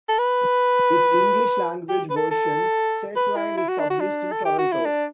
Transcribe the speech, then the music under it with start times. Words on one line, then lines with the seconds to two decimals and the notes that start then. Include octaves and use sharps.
Its English language version, Chatelaine, is published in Toronto.
0.09 A4
0.19 B4
1.89 G4
2.10 B4
2.16 A4
2.31 A4
3.16 B4
3.37 E4
3.57 E4
3.69 F#4
3.79 D4
3.90 F#4
4.00 D4
4.32 A4
4.45 G4
4.59 F#4
4.72 E4
4.86 D4